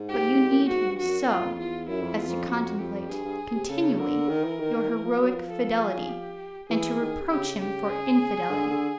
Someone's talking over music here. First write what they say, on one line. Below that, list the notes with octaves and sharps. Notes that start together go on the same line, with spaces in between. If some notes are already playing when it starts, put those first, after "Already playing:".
But you need him so as to contemplate continually your heroic fidelity and to reproach him for infidelity.
Already playing: G#2
G4
A#2
A2
G#2 F#4
G2
F2 F#4
F#2
F2 F4
E2 F4
F#2 E4
F2
E2 F4
F2
F2 F#4
F2 G4
G2 G#4
G2
C3
C#3 A4
D3 A#4
D#3
E3
D#3
D#3
E3
F3
F#3
F3
A4
G#4
G4
E3 G#4
D#3
C3
C#3 G4
G4
G#4
D3
D3